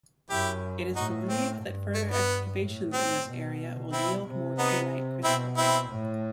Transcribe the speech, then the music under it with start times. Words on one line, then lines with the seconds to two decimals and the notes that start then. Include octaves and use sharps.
It is believed that further excavations in this area will yield more painite crystals.
0.30 F#2 E4 G4
0.96 A2 D#4 F#4
1.29 C4
1.62 G2
1.95 A3
2.11 B3
2.61 A2
2.93 C4
3.27 B2
3.92 C4 E4
4.26 C3
4.59 B3 D#4
5.24 B2 C4 E4
5.57 C4 E4
5.90 A2